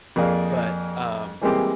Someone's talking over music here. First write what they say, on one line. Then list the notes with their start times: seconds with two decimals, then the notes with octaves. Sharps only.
but, um,
0.16 F2 A#3 G#4 D5 F5
1.41 E3 G3 G#3 A#3 C4 G4